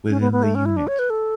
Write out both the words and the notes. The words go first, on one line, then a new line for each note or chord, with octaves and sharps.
Within the unit.
C#4
B3
B3
A3
C#4
E4
D4
C#5
B4
A4